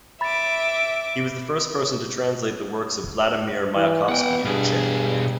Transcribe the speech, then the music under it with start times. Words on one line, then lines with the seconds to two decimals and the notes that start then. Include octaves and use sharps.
He was the first person to translate the works of Vladimir Mayakovsky into Czech.
0.21 E5 B5 D6 A6
3.76 E3
4.09 B3 F#5 G5
4.45 G2 B2 G#4